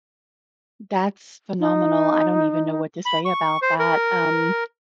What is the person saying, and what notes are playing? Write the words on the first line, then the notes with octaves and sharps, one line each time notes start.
That's phenomenal. I don't even know what to say about that. Um,
D#4
B5
C#6
C5
A#4